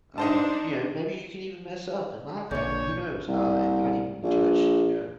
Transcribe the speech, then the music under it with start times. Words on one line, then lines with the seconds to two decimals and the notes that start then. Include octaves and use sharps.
um, you know, maybe you can even mess up and laugh at it, who knows, uh, and not even be judged, you know
0.18 D4 D#4 C5 A5
2.51 A#1 A#2 D3 C#5 G6
3.27 C2
4.23 A#1